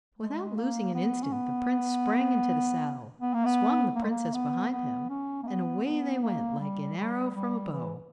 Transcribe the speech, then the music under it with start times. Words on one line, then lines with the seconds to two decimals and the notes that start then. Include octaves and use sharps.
Without losing an instant the prince sprang into the saddle, swung the princess behind him, and away they went like an arrow from a bow.
0.19 G#3
0.57 A#3
0.95 B3
1.23 C#4
1.33 B3
3.21 B3
3.34 A#3
3.45 B3
3.96 A#3
4.03 G#3
4.10 A#3
4.34 B3
4.72 B3
5.09 C#4
5.43 A#3
5.47 B3
5.85 B3
6.23 A#3
6.60 G3
6.97 G3
7.35 G3
7.73 E3